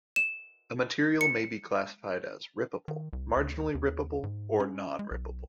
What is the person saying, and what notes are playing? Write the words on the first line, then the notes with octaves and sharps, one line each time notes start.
A material may be classified as rippable, marginally rippable or non-rippable.
E7
C#7
D#3
C2
D2
D#2
G#2
C#4
G#3
B1